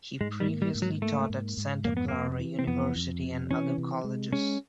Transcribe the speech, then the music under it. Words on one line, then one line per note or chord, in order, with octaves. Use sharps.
He previously taught at Santa Clara University and other colleges.
G#2 G#3
G3
A#3
G3
G#2
F#3
A3 A#3
G#2
G#2
F2 A#3
B3
C3 A#3
E3
C4
F2 B3
F2
C3
E3 C#4
C3
G#3
G#3 C#4